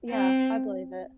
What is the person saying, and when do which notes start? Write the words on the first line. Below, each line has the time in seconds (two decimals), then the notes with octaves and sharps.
Yeah, I believe it.
0.10 C4